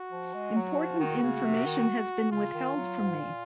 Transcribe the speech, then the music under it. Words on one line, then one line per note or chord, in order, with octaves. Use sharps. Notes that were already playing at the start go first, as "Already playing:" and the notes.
Important information has been withheld from me.
Already playing: F#4
F3
G#3
F#3
F3
D#3
C#3
C3
D#3
C#3 F4
D#3
F#3
G#2
A#2